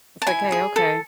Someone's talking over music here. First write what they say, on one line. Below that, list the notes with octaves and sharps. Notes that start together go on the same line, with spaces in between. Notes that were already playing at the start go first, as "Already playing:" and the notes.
It's like, "Hey, okay."
A5
E4 G#5
G#4
A4